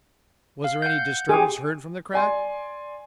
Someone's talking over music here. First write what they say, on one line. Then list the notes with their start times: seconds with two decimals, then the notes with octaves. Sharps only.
"Was there any disturbance heard from the crack?"
0.64 F5
0.82 F#5 G6
1.29 G4 G#4 G5 G#5
2.13 D5 G#5 C6